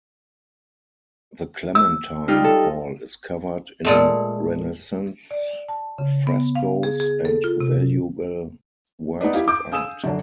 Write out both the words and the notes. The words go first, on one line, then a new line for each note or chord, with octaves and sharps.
The Clementine Hall is covered in Renaissance frescoes and valuable works of art.
E6
G3 D#4 F4
A4
A#2 G#3 A3
D5
A5
C#3
B3
F5
G#4
G#4
A4
F4
C3
B3 D#4 B4 D5
E4 G4 F5
D6 G6
F5 G#5 D#6 E6 E7
F#2 D3 D4